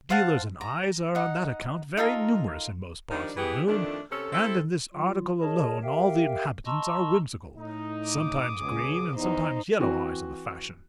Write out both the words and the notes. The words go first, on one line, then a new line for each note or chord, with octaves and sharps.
Dealers in eyes are on that account very numerous in most parts of the moon, and in this article alone all the inhabitants are whimsical: sometimes green and sometimes yellow eyes are the fashion.
C5 F5 F#5 A5
A#5
D#4 F#5
D#4 F4 A4 A#4
D#3 F3 G3 D4 D#4
E3 B3 E4 G4 G#4
F2 D#3 A3 D4
C3 C#4 A4
C4 E4 A4
F#3 F4
G#4 A#4 C#5 D#5 A5
G4 A#4 E5 F5 G5
D#5 A5 A#5 C6 C#6 E6
A2 D#4
D6 D#6
C#2 B2 G#4
E2 D#4 C5
E3 C4 F#4